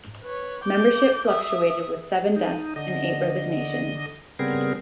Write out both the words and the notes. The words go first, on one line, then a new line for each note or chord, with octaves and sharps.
Membership fluctuated with seven deaths and eight resignations.
B4 C#5
D6 G6
E5 D#6
D#4
D3 D#5
C#3 G3 B3 C4 G#4 A#4